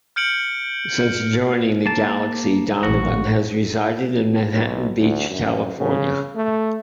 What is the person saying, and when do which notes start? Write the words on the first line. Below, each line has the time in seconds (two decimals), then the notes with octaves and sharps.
Since joining the Galaxy Donovan has resided in Manhattan Beach, California.
0.16 F6 G6 C#7 D7 F#7
1.86 A#3 A5
2.83 A1 A#2 F#4
4.52 B1
4.99 D2
5.31 F#2
5.77 C#3
6.36 A3